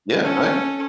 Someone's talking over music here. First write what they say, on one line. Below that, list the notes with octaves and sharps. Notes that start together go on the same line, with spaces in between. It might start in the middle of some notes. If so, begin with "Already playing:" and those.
Yeah, right?
C#4 A4